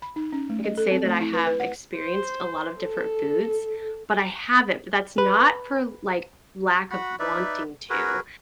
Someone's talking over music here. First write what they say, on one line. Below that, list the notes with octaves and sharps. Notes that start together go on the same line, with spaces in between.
I could say that I have experienced a lot of different foods, but I haven't, but that's not for, like, lack of wanting to,
B5
D#4
C#4
A3
D#5
A4
C4
A3
E4
B4
B4
F#5
C5
A4
B4
F#4 F#5 B5
D#4 B4 D5 E5
F#4 G#4 A#4 B4